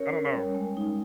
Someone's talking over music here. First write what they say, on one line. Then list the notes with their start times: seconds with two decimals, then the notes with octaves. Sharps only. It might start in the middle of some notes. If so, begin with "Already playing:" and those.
I don't know.
Already playing: C#4 A#4 C#5
0.10 C#4
0.33 G3
0.55 G#3
0.77 D#4